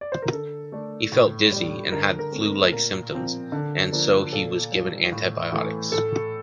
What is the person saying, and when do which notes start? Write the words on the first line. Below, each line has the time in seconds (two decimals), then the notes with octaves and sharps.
He felt dizzy and had flu-like symptoms, and so he was given antibiotics.
0.01 D5
0.12 C5
0.22 A#4
0.32 D3 A4
0.72 A3 D4
1.12 A2
1.52 G3 D4
1.92 D3 A#4
2.19 A#4
2.32 A3 C4
2.45 A#4
2.72 A#2 A#4
3.12 F3 C4
3.52 D3
3.92 F3 A#3 D4
4.32 A#2 A4
4.72 G3 D4
5.12 A2
5.52 E3 A3
5.92 A2 A4